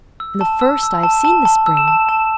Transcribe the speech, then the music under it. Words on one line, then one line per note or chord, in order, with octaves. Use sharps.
And the first I have seen this spring.
E6
A5
E6
E6
A5
A5
A5
E6
E7
A5
A5 E7